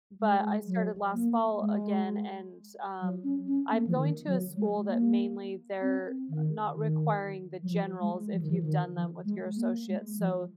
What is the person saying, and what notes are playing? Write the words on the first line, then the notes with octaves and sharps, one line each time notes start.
But, I started last fall again and, um, I'm going to a school that, mainly, they're not requiring the generals if you've done them with your associate's, so
G#3
F#3
A#3
G#3
F#3
C#4
C#4
A#3
F3
D#3
F#3
G#3
A#3
C4
D#3
D#3
F#3
F3
G#3
F3
D#3
F3
D#3
F3
G#3
A#3
G#3
F3